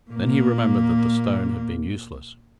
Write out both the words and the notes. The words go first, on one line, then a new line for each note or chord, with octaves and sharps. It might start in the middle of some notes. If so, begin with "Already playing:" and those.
Then he remembered that the stone had been useless.
A#2 A#3